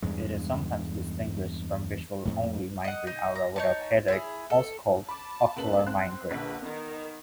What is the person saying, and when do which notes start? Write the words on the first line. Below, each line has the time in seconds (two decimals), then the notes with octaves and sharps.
It is sometimes distinguished from visual-only migraine aura without headache, also called ocular migraine.
0.02 E2 G2 G#3
2.25 F2 A2
2.84 D#5 F#5
3.07 D#4
3.36 A#5
3.56 D#4 C#5 A5
4.08 E4 F4 G#4
4.50 A4
5.09 A5 B5 D6
5.57 F#1 B4 F#7
5.87 C4 C6 F#6
6.31 A#1 D3 B4
6.62 D#3 B3